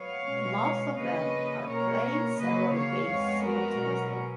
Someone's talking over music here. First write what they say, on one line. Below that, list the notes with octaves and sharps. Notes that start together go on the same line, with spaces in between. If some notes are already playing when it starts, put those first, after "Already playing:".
Most of them are playing several games simultaneously.
Already playing: F#3 B3 C#5 F5
B2 G#3 C#4
C#3 F3 A#3 C#4 B4 D#5
B2 A#3 C#4 A#4 C#5
C#3 F#3 A#3 B4 D#5
C#5 F5
F2 F3 G#3 B3
F#4 A#4
B2 F#3 C#4